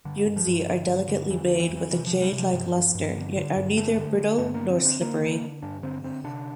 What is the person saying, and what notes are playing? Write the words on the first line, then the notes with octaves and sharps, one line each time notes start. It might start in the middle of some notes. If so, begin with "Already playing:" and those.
Yunzi are delicately made with a jade-like luster yet are neither brittle nor slippery.
G2 D3
G2
F3
G2
D3
G2
D3
F2 E3
D3
F2
E3
F2
E3
C3 E3
C3 F3
G3
C3
F3
G2 F3
G2
G2
D3
D3
G2
D3 A3
D3
D3
G2 A3
A#3
D3
C4
D3
C4
D3 A#3
D3
D3
G2 D4
D3 C4
D3 C4
C3 D4